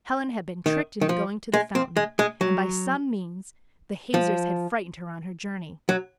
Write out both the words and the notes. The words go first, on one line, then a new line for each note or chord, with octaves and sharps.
Helen had been tricked into going to the fountain, and by some means the hazers had frightened her on her journey.
D#3
D#3
F3
G#3
C4
G#3
G#3
F#3
F3
F#3